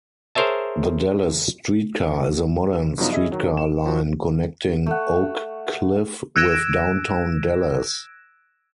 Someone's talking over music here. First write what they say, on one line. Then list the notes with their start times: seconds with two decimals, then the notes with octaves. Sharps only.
The Dallas Streetcar is a modern-streetcar line connecting Oak Cliff with downtown Dallas.
0.35 G#4 A#4 C5 C#5 E5 A5
2.98 G2 C#3 F3 F#3 B3 D#4
3.12 C#4 E4 G#4 D#5 E5
3.32 D#3 F#3
3.57 E7
3.86 F3 F#4
4.86 A3 F#5
6.36 E6 F#6 G#6 A#6 D7 E7